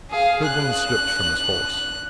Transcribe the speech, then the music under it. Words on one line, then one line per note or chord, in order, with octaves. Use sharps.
Sherburne slipped from his horse.
G#4 F5
F#6